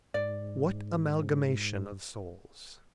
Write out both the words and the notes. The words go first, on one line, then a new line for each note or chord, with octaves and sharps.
What amalgamation of souls!
G#2 D5